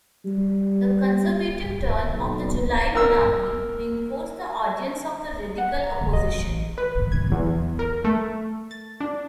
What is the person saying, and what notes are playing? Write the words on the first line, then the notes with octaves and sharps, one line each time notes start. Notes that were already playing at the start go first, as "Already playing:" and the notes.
The conservative turn of the July Monarchy reinforced the audience of the radical opposition.
G3
B1
A#4 E6
F#5
A#5
D#5
A1
B4
G#6
E2
A#4
A3
A6
D4